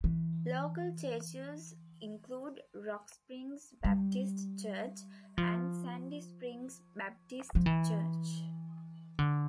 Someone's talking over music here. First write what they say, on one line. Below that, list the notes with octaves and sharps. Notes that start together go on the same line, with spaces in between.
Local churches include Rock Springs Baptist Church and Sandy Springs Baptist Church.
E3
G3
F3
F3
E3
D3